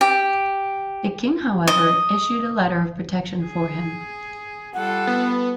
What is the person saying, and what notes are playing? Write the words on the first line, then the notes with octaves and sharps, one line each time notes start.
The king, however, issued a letter of protection for him.
G4
D#5
G#4
G3 F4 A4 F#5
B3